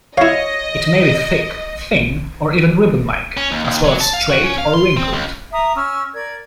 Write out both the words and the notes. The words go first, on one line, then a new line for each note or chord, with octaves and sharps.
It may be thick, thin, or even ribbon-like, as well as straight or wrinkled.
E4 C#5 D#5 F5
C#4
D#2
D#2
F#3
A5
F5
F#4
C#4
F5
C6
C4
C#2
E5 A#5 D#6
C#4 C#6 E6 F6
A#4 D5 G#6